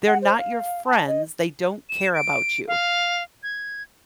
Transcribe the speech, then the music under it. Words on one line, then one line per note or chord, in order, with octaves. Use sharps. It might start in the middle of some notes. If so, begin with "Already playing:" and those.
"They're not your friends. They don't care about you"
F#5
C5
F5
A5
D#5
E7
D7
F5
G#6